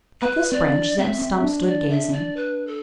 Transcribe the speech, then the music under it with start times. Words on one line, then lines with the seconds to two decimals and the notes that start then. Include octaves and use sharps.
At this branch Zeb Stump stood gazing.
0.21 B4
0.52 C4 D5
0.75 D4
0.98 C4 E5
1.22 C4
1.44 D4
1.67 D5
1.90 E5
2.13 D5
2.36 B4
2.67 A4